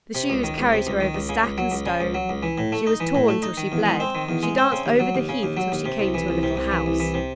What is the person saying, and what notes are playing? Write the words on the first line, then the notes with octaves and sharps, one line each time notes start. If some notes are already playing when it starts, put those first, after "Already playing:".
The shoes carried her over stack and stone; she was torn till she bled; she danced over the heath till she came to a little house.
C3
C#2
D#3
C#2
C3
C#2
D#3
C#2
C#3
C#2
F#3
C#2
C#3
C#2
F#3
C#2
E3
A2
A3
D#4
E3
A2
A3
D#4
D#3
E2
G#3
C4
D#3
E2
G#3
C4
C#3
D#2
F#3
D#2
C#3
D#2
F#3
D#2
C3
C2
E3
C2
C3
C2
E3
C2
E3
C3